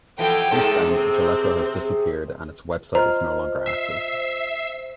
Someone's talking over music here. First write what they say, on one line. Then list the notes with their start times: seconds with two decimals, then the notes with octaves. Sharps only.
Since then, Jaleco has disappeared and its website is no longer active.
0.19 B2 E3 F3 A4 G5
0.51 G#2 C3 G#4 A4
0.90 C3 C4
1.81 G#4
2.95 F4 C5 D#5 A#5 F6
3.66 E5 C7